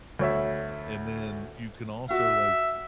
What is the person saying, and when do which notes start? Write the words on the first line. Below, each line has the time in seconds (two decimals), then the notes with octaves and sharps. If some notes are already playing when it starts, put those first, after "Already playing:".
and then you can also, like,
0.19 D2 C#5 E5
2.11 F#4 E5